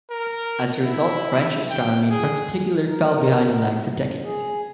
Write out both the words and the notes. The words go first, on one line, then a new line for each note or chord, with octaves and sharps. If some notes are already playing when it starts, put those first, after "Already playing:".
As a result, French astronomy in particular fell behind and lagged for decades.
A#4
E4
G5
G#4
A#4
G#4